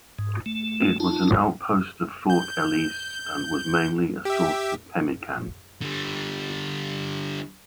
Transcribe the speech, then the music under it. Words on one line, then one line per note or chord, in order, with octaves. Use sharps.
It was an outpost of Fort Ellice and was mainly a source of pemmican.
G#2
A3
D#4 F4 A5
G6
G4 E5
D3 G3